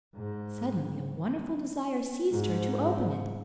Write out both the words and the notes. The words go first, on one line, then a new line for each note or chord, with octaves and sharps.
Suddenly a wonderful desire seized her to open it.
G#2
G#2